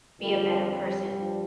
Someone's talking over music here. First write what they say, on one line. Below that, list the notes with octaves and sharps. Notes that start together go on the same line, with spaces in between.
be a better person.
F2 D3 F3 G3
G3
G2 F3